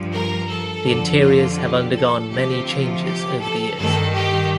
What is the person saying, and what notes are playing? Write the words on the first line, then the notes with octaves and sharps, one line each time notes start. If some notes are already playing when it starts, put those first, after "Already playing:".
The interiors have undergone many changes over the years.
Already playing: G2 F3
A#4
A4
F2 D3 F3
F4
G4
A4
D2 C3 F3 G4
F4
G4
A4
G2 D#3 A4
G4